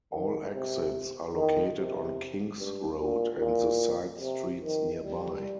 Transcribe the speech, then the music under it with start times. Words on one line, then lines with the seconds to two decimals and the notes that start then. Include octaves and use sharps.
All exits are located on King's Road and the side streets nearby.
0.13 D#3
0.54 C3
1.36 D#3
1.77 C3
2.58 G2
2.99 A#2
3.40 A#2
4.21 C3
4.62 D#3
5.03 G3